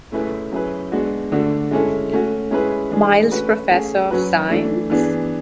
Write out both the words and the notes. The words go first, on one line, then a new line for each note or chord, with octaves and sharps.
Miles Professor of Science.
A3 C#4 E4 G#4 B4
F#3 C#4 E4 G#4 B4
G#3 B3 D4 F#4
D3 A3 D4 F#4
G#3 C#4 E4 A4
A3 C#4 F#4
G#3 C#4 E4 G#4 B4
E3 G#3 D4 G#4
A3 C#4 F#4 B4
A3 C#4 G#4
F#3 C#4 F#4 B4
E3 A3 D4
E3 B3 D4 G#4